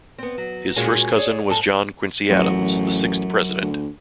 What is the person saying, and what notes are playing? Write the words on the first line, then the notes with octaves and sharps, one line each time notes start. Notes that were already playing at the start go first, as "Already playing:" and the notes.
His first cousin was John Quincy Adams, the sixth President.
B3 C4
F#3
A#2 G#3 C#4 F4 F#4 G#4
G#4 C#5 D5
F2 G#2 A4 A5
A1 F#2
D2